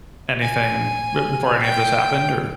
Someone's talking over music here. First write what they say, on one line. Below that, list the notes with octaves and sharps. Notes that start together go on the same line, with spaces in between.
anything b before any of this happened or
G#5
G5